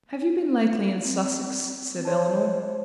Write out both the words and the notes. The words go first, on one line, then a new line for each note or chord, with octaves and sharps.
"Have you been lately in Sussex?" said Elinor.
C4
C5 C#5 A5